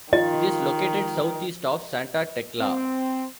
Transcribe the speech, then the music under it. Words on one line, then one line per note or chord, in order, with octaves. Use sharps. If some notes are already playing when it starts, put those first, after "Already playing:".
It is located southeast of Santa Tecla.
D#3 F4 D#5
C4